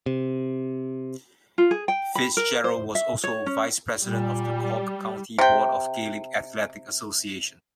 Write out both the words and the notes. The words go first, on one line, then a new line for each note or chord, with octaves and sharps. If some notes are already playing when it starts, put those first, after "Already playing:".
Fitzgerald was also Vice-President of the Cork County Board of the Gaelic Athletic Association.
C3
F4
G#4
G5
B5
A#4
C5
E5
C#5
C#4
A#2 G3
C3 G5